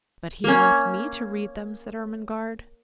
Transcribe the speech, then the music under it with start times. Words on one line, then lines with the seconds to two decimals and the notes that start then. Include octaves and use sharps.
"But he wants me to read them," said Ermengarde.
0.44 A#3 C#4